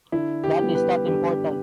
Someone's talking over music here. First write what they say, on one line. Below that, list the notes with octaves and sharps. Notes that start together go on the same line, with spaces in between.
That is not important.
D3 E4
G4
G3 B3 E4
B4
D3 G4